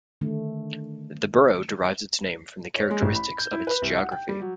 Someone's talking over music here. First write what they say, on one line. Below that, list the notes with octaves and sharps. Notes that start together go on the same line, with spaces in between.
The borough derives its name from the characteristics of its geography.
D3 D#3 A3
C#5
G#3
A1
B5
G6
E4
B4
C2
F#5
G5
G3
F#3